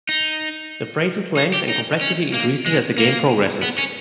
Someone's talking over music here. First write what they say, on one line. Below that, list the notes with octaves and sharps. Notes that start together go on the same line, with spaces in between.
The phrases' length and complexity increase as the game progresses.
D#4
D#4
G4
D#4
C#4
A#3
G#3
A#3
B3
C#4